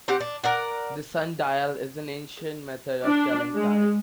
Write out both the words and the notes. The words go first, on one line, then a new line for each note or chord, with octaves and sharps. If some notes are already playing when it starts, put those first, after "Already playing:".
The sundial is an ancient method of telling time.
C4 G4 F#5
D4
A#4 D5 F#5
D4
G#3